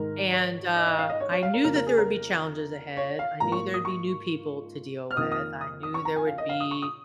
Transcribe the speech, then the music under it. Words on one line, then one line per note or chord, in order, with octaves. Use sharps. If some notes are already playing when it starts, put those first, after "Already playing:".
and, uh, I knew that there would be challenges ahead, I knew there'd be new people to deal with, I knew there would be,
Already playing: G#2 D#3 G#3 A#4
C#5
D#5
D#5
F5
D#5
C#5
C#5
F5
A#4
F2 C#3 A#3 A#4
A#4
G#4
A#4
C#5
F5
G#2 F3 A#3 A#5
C#6
D#6
C#6
F6
F2 D#3 A#3 D#6
D#6
D#6
D#6
C#6
A#5
G#5
F5
D#5
F5
D#6
C#6
D#6